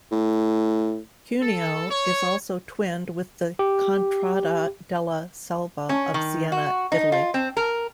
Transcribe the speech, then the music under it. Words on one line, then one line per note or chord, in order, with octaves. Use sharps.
Cuneo is also twinned with the contrada della Selva of Siena, Italy.
A2
A4
C#5
G4
C#4
D#3
F#4
D#4
F4
C4
A#4